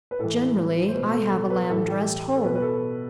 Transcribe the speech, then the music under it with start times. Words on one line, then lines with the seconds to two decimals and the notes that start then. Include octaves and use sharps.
"Generally, I have a lamb dressed whole."
0.11 B4
0.19 A2 E3 A4
0.88 C5
0.94 B2 B4
1.13 A4
1.32 A4
1.50 B4
1.69 A2 E3 A4
1.88 G4
2.36 A4
2.44 B2 B4
2.55 B4
2.62 A4